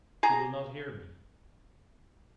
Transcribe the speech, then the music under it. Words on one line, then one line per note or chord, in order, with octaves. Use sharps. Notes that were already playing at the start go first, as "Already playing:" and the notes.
She will not hear me.
G#4 A#5